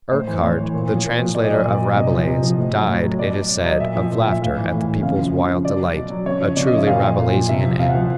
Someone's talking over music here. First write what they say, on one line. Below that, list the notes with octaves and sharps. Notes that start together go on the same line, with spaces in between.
Urquhart, the translator of Rabelais, died, it is said, of laughter at the people's wild delight--a truly Rabelaisian end.
A2 C5
E3
A2 C#5
E3
A#2
F3
A#2
F3
A#2 D5
D#5
F#3 D5
A#2
F#3
C3 D#5
F3
C3
F3
A2
F#3
A2
F#3
B2 D5
F#3
B2
F#3 D#5
A#2 E5
F3
A#2
F3
E5
A2 F5
E3
A2
E3
C#3 F5
F3
C#3
F3
B2 D5
F#3
B2
F#3
C#3 C#5
F3
C#3 D5
D#5
F3
E5
A#2 F5
F3
A#2
F3
C3 E5
F3
C3 F5
F#5
F3